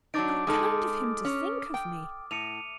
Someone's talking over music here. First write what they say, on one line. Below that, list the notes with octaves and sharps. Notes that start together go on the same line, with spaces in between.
'How kind of him to think of me!
F#3 D4 D#4 D6 A6 D7
G#3 D#4 A4 D6 D#6 F6
C#4
G5
A2 C#7 D#7 F7